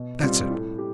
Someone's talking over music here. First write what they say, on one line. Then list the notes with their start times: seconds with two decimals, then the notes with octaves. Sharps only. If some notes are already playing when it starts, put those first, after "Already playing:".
"That's it!"
Already playing: B2
0.21 G3 C4 F4
0.50 A2
0.78 G4